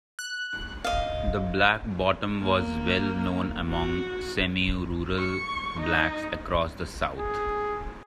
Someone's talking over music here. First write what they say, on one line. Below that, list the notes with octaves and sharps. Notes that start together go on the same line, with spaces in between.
The black bottom was well known among semirural blacks across the South.
F#6
D#5 F5
A#3
F#4
C#6
D#4
G#4